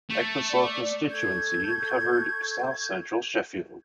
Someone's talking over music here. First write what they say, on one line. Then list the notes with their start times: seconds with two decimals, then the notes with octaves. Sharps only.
Ecclesall constituency covered south central Sheffield.
0.10 A3
0.49 D5
1.10 A4 C#6 G6 G#6